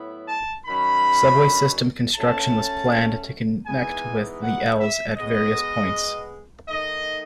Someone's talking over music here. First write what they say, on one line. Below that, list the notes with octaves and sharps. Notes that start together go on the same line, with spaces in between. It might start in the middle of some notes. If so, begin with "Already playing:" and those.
Subway system construction was planned to connect with the els at various points.
Already playing: A2 F#3 B3 E4
A5
D#3 F#3 C#4 B5
F#3 A3 C#4 A5
E3 G#3 B3 D#4 G#5
F#5
E5
B2 G#3 B3 D#5
D#3 A3 D#4 D#5